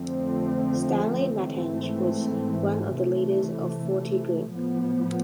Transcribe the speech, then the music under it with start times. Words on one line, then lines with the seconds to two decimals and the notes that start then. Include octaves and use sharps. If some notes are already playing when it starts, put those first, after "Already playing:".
Stanley Mathenge was one of the leaders of Forty Group.
Already playing: F2 D3 F3 A3 C4
1.39 G#2 E3 A3 C4
2.96 C3 E3 A3
4.52 A2 F3 B3